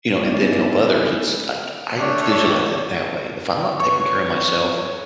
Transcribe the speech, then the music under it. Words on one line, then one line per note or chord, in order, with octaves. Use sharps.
you know, and then help others." It's I c I visualize it that way. If I'm not taking care of myself
G#3 B3 C#4 D#4 E4 D5
G3 A3 D4 C#5
B4 C#5 C#6